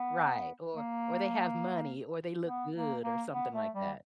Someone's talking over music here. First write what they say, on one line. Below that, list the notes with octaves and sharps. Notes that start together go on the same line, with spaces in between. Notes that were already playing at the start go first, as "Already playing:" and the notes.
Right. Or or they have money or they look good or something like that.
Already playing: B3
A#3
B3
A#3
A#3
B3
A3
G3